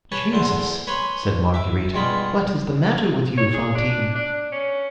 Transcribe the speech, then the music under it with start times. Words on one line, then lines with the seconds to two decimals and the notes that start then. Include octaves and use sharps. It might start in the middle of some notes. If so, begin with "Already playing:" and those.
"Jesus!" said Marguerite, "what is the matter with you, Fantine?"
0.12 B4 C#5 G#5 A5
0.32 E2 D3 C5
0.87 B4 C#5 G#5 B5 C6
1.54 E5 D6
1.94 G2 B2 G#3 F4 B5
3.37 C#5
3.53 G#4
3.75 D4
4.15 D4
4.52 C#4